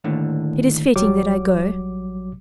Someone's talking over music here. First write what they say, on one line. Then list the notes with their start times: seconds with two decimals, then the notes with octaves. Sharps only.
It is fitting that I go.
0.04 D#2 A2 D3
0.96 A1 F#3 G3 D6